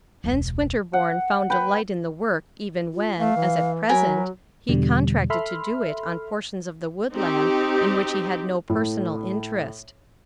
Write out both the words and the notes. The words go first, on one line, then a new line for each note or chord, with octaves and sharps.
Hence Winterborne found delight in the work even when, as at present, he contracted to do it on portions of the woodland in which he had no personal interest.
E1 C#2
F#5
B4 G5
F4
A3 F5
E3
F#3 F#4 A#4 G#5 B5
E2 B2 D3 G3
A4 E5 B5 C6 F6
C4 D#4 G4
A2